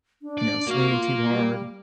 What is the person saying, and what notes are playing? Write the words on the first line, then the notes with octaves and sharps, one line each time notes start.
you know, swinging too hard.
D4
D5
A#3 F#4 F5
F4
G3